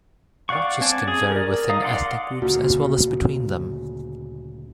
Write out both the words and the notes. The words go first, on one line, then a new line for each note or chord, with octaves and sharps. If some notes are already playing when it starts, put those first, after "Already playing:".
Notches can vary within ethnic groups as well as between them.
D5 F5 F#5 C#6
C4 C#4 G#5 A5 D6
G#4
A#4 D5
D#4 F5 A#5 D#6
D5 F5 F#5 C6 D6
D2 A#2 C#3 F#4